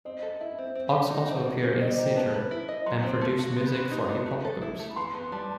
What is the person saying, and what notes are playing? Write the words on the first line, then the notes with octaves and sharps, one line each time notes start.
Ox also appeared in theatre, and produced music for hip hop groups.
C4 D#5
A4
E4 E5
C4
C4
G4
D#4 F#5
C4
D#3
C4
G3 D#5
C5
D#3
G5
B3 A5
B4
E4
D#5
F#3 C6
C4
A3
F#4
B3 C6
B5
F#4 C6
D#4
B3
A3
A4
E4
A3
B5
E3 C6
B3 C6
G3 A5